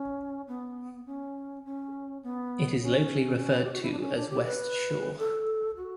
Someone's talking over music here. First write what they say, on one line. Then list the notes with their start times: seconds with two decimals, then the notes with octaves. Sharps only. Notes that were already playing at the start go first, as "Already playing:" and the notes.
It is locally referred to as West Shore.
Already playing: C#4
0.48 B3
1.06 C#4
1.65 C#4
2.23 B3
2.83 C#4
3.64 G4
3.72 F#4
3.82 E4
3.91 D4
4.00 C#4
4.15 D4
4.30 G4
4.45 B4
5.18 A4
5.77 F#4